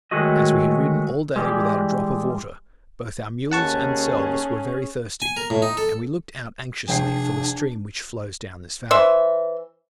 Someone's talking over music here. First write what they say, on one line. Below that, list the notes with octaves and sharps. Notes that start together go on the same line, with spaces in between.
As we had ridden all day without a drop of water, both our mules and selves were very thirsty, and we looked out anxiously for the stream which flows down this valley.
D#3 F#3 G#3 A3 F#4 D#5
E3 G3 G#3
D#2 C#4 G#4 F#5 A5 C#6
G#5
A#4
A2
D#4
A4
F1 D4 G#4 G5 C7
E3 C5 E5